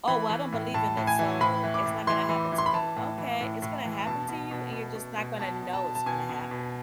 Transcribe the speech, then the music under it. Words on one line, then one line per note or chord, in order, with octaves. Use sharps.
"Oh, well, I don't believe in it, so, it's not gonna happen to me." "Okay. It's gonna happen to you, and you're just not gonna know it's gonna happen."
E3 B5
E3
A2
A2 A5
A2
G#5
E3
A2 B5
E3
D6
A2
E3 C6
E3
E3
C6
B5
E3 A5
A2
E3
A2
A2
E3
B2 A5
B2
B2
B2
B2
B2
B2 A5
B2
A5
B2
A5
B2 G#5
B2
B2